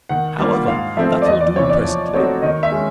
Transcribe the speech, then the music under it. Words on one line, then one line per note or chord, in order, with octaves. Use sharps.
However, that'll do presently.
D#3 F#5
G3 A#3 D4 F4
G#2 F5
F3 A3 C4 E5
D5
E2 D#5
D5
C3 E3 C#5
D5
F3
A3 C4 D#4 F#4 C#5
D#3 D#5
E5
G#3 C#4